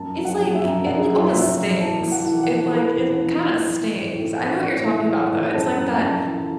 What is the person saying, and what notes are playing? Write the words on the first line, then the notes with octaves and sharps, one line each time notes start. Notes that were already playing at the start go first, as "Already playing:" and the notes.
It's like it, like, almost stings, it, like it kinda stings. I know what you're talking about, though, it's like that
Already playing: F#2 A5
F#3
F#5
F#3
E5
F#2
F#2 F#5
F#3
F#3 E5
F#3
E3 A5
E3
F#5
E3
F#5
E3
E3 B4
E2
E3
E3
E3
E3
A2
E3
E3 D5
A2
E5
E3
F#5
A2
F#2 A5
F#2
F#2 A5
E3